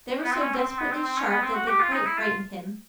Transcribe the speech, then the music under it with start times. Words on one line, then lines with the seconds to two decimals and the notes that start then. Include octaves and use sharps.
They were so desperately sharp, that they quite frightened him.
0.23 B3
0.31 C4
0.41 C#4
0.54 C4
0.65 C4
0.78 B3
0.91 C4
1.04 C4
1.17 C#4
1.29 B3
1.42 C4
1.54 F#4
1.67 G4
1.80 F4
1.93 D#4
2.05 E4
2.18 F4